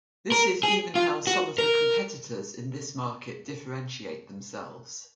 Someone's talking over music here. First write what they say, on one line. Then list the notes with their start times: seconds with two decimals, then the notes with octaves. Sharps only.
This is even how some of the competitors in this market differentiate themselves.
0.32 A#4
0.63 G#4
0.95 F4
1.27 F#4
1.58 A#4